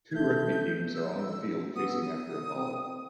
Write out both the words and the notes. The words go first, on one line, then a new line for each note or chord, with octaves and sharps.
Two rugby teams are on the field chasing after a ball.
G#6
A3 G6
E6
B3 D#6
E6
D#6
C4